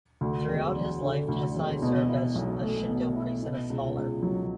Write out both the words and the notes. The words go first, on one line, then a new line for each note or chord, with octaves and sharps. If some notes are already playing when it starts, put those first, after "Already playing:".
Throughout his life, Tessai served as a Shinto priest and a scholar.
D2
E1
E1
D3
D2
E1
B2
E4
B1
A3
B2
E4
B2
C#2
C#2
F#3